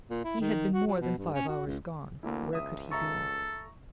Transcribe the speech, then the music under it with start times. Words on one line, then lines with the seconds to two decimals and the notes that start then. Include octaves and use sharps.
He had been more than five hours gone: where could he be?
0.09 A#2
0.24 E4
0.40 D#3
0.73 F#4
0.87 F#3
1.01 B2
1.17 G2
1.34 C#4
1.48 F#4
1.66 C#2
2.23 D2 A#3 E4
2.53 C#2 E5 D#6
2.91 A4 E5 A#5 C#6